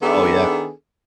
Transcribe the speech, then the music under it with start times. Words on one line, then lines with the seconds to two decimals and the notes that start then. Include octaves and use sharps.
Oh, yeah.
0.03 D#3 B3 D4 E4 G#4 A4